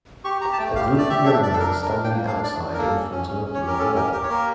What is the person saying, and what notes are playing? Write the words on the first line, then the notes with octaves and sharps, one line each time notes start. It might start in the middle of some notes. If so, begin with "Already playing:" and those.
A group of young men are standing outside in front of a blue wall.
G4 C#6
G4 A#5
A5
A3 G5
G4 F5
A3
D5
G4 E5
D4 E5
D4 D5
A4
D4 A#4
D4
A#4
D4
G5
A#3
D4 F5
D4 D5
D4
A#4
A#3 A4
C#4
C#4
C#4
C#4
C#5
G4
A#4
C#4 A4
G4 A#4
G4 A#4
C#5
A#3 A#4